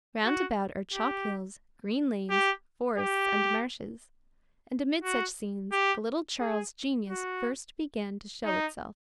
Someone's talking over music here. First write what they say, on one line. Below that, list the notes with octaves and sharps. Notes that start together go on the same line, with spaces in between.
Round about are chalk hills, green lanes, forests and marshes, and amid such scenes the little Charles's genius first began to show itself.
F#4
G4
G4
G4
F#4
G4
G#4
F#4
D#4